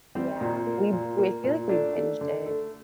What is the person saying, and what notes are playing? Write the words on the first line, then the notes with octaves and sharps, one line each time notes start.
Yeah, we we feel like we binged it.
G3 C4
A#2
A#3
A#2
A#3
A#2
A3 D4
A3
D3
A3